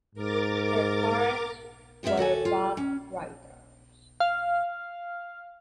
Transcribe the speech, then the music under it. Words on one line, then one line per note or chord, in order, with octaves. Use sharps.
Her parents were both writers.
G#2 A#4 D6 A6
F#2 G#3 B3 G4 E5 F5
D#2 F#4 A4 G#5
F4
C#4
F5